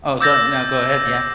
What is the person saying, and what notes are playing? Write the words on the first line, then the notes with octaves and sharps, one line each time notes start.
Oh, sorry. No, go ahead, yeah.
D6 E6 G6 A6 A#6